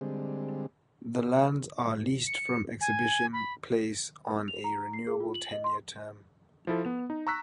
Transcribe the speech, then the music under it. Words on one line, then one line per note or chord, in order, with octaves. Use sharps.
The lands are leased from Exhibition Place on a renewable ten-year term.
D3 G3 G#3 C4
C#7
G#5
B5
F7
A#5
C7
G#4
F4
F#7
D#5
C6
F3 E4 A4
B3
D#4
A#5 C#6 E6 F#6 B6